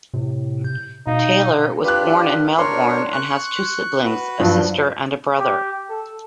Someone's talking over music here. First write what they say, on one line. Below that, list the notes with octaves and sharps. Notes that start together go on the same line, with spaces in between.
Taylor was born in Melbourne and has two siblings, a sister and a brother.
A2 C3
G6
B2 D#4 F5
D4 F4 G4 B4 F#6
D4 A#4 C#5 C6
C#6 F#6
F#4 B4
G2 F3 F#3
G4
A4